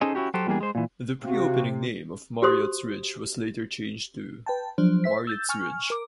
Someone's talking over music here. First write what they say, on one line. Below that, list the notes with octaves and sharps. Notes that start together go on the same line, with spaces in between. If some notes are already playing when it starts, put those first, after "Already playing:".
The pre-opening name of Marriott's Ridge was later changed to Marriotts Ridge.
C#4 D#4 G#4 A4 C5 D#5
C#4 E4 F#4 G4
F#3 F#4 G4 A4 C5
E2 G3 A#3 D4 G#4
G#3 C5
A#2 E3
C3 F#4 F5
F#4 G4 C5 C6 D#6
B4 G5 A5
F3 F#3 D4 C5
C5 E5 B6
E6 G6 A6
G#5 C#6 F6
A#4 D6